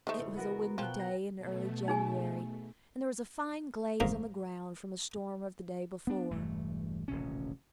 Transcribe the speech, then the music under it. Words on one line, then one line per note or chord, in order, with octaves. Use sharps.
It was a windy day in early January, and there was a fine glaze on the ground from a storm of the day before.
D#3 G#3 A3 C5
E2 C#3
B3 F#4 A#4
B2 F3 G5 F#6
A#5 G6
B2 A3
D#4 G#4 G#5
G#2 A#3 A#4
B3 D4
E1 G2 E3 A3
D#1 A1 C3 C#4